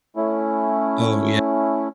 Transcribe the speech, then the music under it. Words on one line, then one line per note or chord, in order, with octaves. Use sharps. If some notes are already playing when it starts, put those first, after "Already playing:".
Oh, ye
A3 C#4 E4